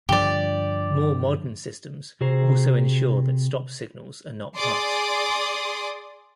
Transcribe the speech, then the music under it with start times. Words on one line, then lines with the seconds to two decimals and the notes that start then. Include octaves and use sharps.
More modern systems also ensure that stop signals are not passed.
0.09 G2 D3 F3 G4 D5
2.21 C3 F#4 G#4 C5 A#5
4.57 G#4 D5 C6 D6 D#6